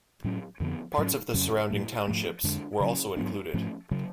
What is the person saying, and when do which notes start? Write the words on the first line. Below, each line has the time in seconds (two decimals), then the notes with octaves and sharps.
Parts of the surrounding townships were also included.
0.24 A2 F#3 C#4
0.60 F2 D3 F3 B3
0.98 G#2 F#3 C#4
1.34 F2 C#3 F#3 C#4
1.70 A2 F#3 A3
2.08 G#2 F3 A3
2.43 F2 D3 G#3 D4
2.80 C#3 F#3 C#4
3.17 G#2 F#3 B3 D4
3.54 G#2 F3 A3 C#4
3.91 C#3 F#3